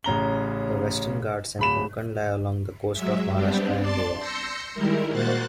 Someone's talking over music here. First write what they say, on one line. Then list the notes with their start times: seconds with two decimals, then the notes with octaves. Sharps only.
The Western Ghats and Konkan lie along the coast of Maharashtra and Goa.
0.04 A1 C#3 A#5 G7
1.59 D1 B5 E7
2.93 F#3 G#3 E5
3.34 G3 B3 C4 D4 G4
3.79 D5 A5 C6 A6
4.18 C6 E6 G6 A#6 C#7
4.74 D#3 G3 G#3 E4 A#4
5.12 A#2 A#3 F#4 C5 F#6 A6